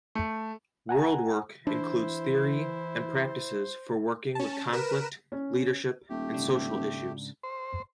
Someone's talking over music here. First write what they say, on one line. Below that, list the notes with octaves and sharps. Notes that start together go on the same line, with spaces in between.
Worldwork includes theory and practices for working with conflict, leadership and social issues.
A3
F#5 G#5 A#5
E3 D4 E4 C5
C#4 A5
A#4 B4 E7
C#4
D#1 A3 G4
G#2 C#3 D4
C5